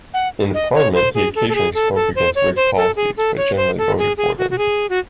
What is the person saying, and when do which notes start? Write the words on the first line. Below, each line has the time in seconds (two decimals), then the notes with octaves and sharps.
In parliament he occasionally spoke against Whig policies, but generally voted for them.
0.14 F#5
0.54 D#5
0.74 C#5
0.95 C5
1.15 G#4
1.35 A4
1.49 A4
1.55 G#4
1.75 A4
1.95 A4
2.15 C5
2.35 C#5
2.56 C5
2.77 A4
2.96 G#4
3.17 A4
3.37 C#5
3.57 C5
3.78 A4
3.98 G#4
4.17 G#4
4.38 F#4
4.50 F#4
4.58 G#4
4.90 F#4